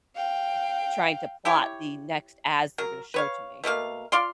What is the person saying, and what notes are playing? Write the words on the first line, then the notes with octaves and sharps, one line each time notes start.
n trying to plot the next ads they're gonna show to me?
F5 G5
E4 G4 C#5
F#3 A#4
B4 C#5 F5
B2 A3 A#3 F5
F4 D5 F5 C6